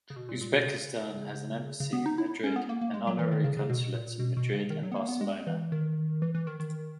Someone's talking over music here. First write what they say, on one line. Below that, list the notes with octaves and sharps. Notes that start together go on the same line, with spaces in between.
Uzbekistan has an embassy in Madrid and honorary consulates in Madrid and Barcelona.
C#3
B2
A#2
A#2
B2
C#3
C#3
B3
D#4
E4
C#4
B3
A#3
A#3
G#3
F#3
E3
D#3
C#3
C#3
B2
A#2
B2
B2
C#3
D#3
F#3
B3
A#3
B3
G#3
E3
D#3
E3
E3
D#3
D#3